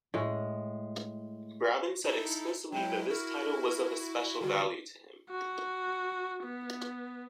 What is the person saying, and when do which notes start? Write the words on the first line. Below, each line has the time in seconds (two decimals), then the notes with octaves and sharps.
Braben said explicitly that this title was of a special value to him.
0.14 A2 G#3
2.04 D#4 E4 A4
2.72 F#3 G#3 E4 G5
3.10 E4 F#4 A#4
4.41 D3 D#3 G3 F#4
5.30 F#4
6.44 B3